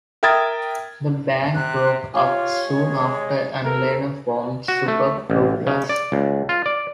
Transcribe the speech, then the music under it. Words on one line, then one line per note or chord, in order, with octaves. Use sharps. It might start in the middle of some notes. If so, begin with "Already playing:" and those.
The band broke up soon after, and Laner formed supergroup Lusk.
A#4 E5 G5 D#6 G#6 A6
C3 F#6
F4 G4 C#5 F5 G#5
G#3
B3 A4 A#4
F#4
A3
A1
C#3
D5
C#2
F4
D5